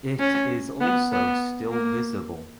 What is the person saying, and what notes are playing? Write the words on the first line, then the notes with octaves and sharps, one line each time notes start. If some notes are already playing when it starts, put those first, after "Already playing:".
It is also still visible.
C#4
B3
B3
A#3